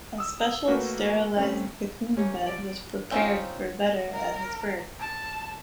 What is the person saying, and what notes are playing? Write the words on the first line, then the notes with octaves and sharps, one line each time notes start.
A special sterilized cocoon bed was prepared for Vetter at his birth.
D#6 E6
A3 A#3 F#4 A#4 B4
G3 A3 C4 C#4
A#3 C#4 G4 C#5
D5
C4 C#4 D#4 F4
A#4
A5